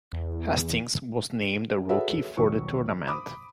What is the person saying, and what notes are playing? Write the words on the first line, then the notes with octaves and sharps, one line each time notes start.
Hastings was named Rookie of the Tournament.
E2
F#4 G#4 A4 B4 C#5 E5
D#1 B1 C#6
B5 D6 D#6